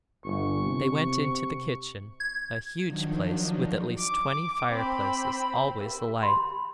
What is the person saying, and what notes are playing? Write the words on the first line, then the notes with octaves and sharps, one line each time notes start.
They went into the kitchen--a huge place with at least twenty fireplaces, always alight.
G1 C#6
C3
G#6
D#3 F3 F#3 D4 D#4
D6
C4 B5
A#4
B5 C6